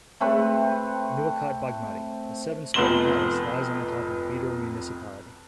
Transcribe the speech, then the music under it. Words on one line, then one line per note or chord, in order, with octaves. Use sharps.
Nuwakot, Bagmati : A seven storey palace lies on the top of Bidur Municipality.
A3 C4 B4 C#5
F1 F2 B3 C6 E7 G7